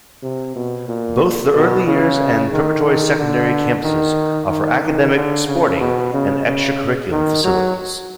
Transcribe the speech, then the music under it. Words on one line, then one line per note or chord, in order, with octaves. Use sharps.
Both the Early Years and preparatory-secondary campuses offer academic, sporting and extra curriculum facilities.
C3
B2
A#2
B2
C#3
D#3
D#3
D3
D#3
D#3
D#3
D3
C#3
B2
C#3
C#3
D#3
F#3